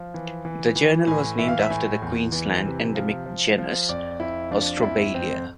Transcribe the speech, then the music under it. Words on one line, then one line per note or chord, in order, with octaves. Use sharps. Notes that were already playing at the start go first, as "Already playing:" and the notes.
The journal was named after the Queensland endemic genus "Austrobaileya".
Already playing: F3
E3
E3
E3
A2 G#5
E3 E5
F5
E5
A2 G#5
E2
E3
C3
F3
F3
F3
F2 D5
F2 E4
F3 D4
D4
F2 E4
F2 C4